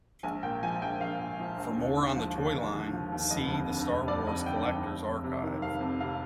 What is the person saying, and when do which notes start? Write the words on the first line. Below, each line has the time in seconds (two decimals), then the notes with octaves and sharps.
For more on the toy line, see The Star Wars Collector's Archive.
0.23 A#1 G#5
0.43 A#2 G5
0.63 F3 G#5
0.82 A#1 G5
1.00 A#1 F5
1.19 A#2
1.40 F3
1.58 A#1
1.77 D#2
1.97 D3
2.16 F3
2.35 D#2
2.54 D#2
2.74 D3
2.93 F3
3.12 D#2
3.31 F1 D#5
3.50 F2
3.70 D3
3.89 F1
4.08 F1 D5
4.27 F2 D#5
4.46 D3 G5
4.65 F1 G5
4.85 F1
5.04 F2
5.24 C3
5.43 D#3
5.62 F1 F5
5.80 F2
6.00 C3 F5